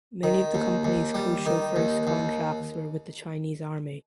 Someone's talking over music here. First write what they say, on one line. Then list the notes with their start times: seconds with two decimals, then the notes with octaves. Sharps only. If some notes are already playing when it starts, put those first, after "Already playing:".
Many of the company’s crucial first contracts were with the Chinese army.
0.23 D#3
0.54 D#2
0.84 D#2
1.14 G3
1.46 D#3
1.76 D#2
2.07 D#2